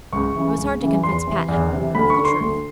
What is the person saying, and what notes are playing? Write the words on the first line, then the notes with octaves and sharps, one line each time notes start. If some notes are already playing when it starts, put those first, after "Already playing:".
It was hard to convince Pat, however, of the truth.
C#2 C#6
C#3 E3
C#2
C#3 E3
E2 C6
C3 E3
E2
C3 E3
D2 B5
C#6
D3
C6
D2